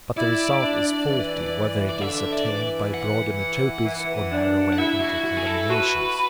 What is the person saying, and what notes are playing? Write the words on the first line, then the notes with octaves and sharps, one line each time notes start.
But the result is faulty, whether it is attained by broader metopes or narrower intercolumniations.
E4 D5
D4
E3
D5
D3 E5
D5
E3
F#5
E3
D4
F#5
E4 E5
F#4
F#4
G#4
A4
F#4 B4